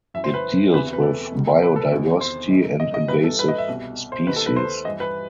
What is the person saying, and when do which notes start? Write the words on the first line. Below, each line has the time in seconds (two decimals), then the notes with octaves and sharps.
It deals with biodiversity and invasive species.
0.14 F#2 E3 E5
0.24 C5
0.34 B4
0.74 E2 C3 E3 B4
0.93 B4
1.03 A4
1.32 C2 B2
1.62 B4
1.76 A4
1.92 E2 C3 D#3
2.21 C5
2.50 F#2 D#3
2.80 D#5
2.94 D#5
3.08 G2 E3 B4
3.24 A4
3.39 B4
3.48 D#5
3.58 E5
3.68 C2 B2
4.12 C5
4.26 D#2 D#3 B4
4.36 A4
4.46 B4
4.56 C5
4.85 G2 E3 D#5
5.00 B4